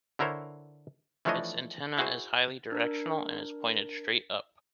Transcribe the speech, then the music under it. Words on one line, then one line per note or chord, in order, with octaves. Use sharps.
Its antenna is highly directional, and is pointed straight up.
D3 E4 A#4 C5 C#5
E3 F3 A3 D4 C#5 D#5
E4 F#4 G#4 C5
D4 A#4